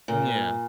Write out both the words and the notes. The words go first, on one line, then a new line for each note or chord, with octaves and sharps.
Mm, yeah.
A#2